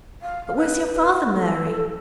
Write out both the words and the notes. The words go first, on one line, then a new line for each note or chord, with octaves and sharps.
But where's your father, Mary?'
F5
B4
A4